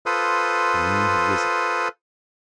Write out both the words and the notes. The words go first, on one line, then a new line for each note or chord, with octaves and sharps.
The moon had risen.
F4 A4 B4 C5 D#6